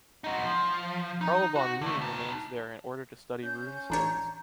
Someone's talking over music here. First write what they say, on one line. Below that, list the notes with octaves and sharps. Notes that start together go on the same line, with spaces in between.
Carl Von Line remains there in order to study runestones.
D#4 F#4
F3
D#4
F#4
D3 A3
D#4 A5
C#4 G6
A1 D4 C#5 A#5